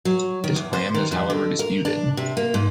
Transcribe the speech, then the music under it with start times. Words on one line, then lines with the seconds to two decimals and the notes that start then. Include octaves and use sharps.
This claim is however disputed.
0.05 F#3
0.44 D#3
0.56 E2
0.73 C5
0.94 D#3
1.12 F2
1.30 D3
1.59 A#4
1.85 D4
2.17 C3
2.37 A#3
2.54 G#2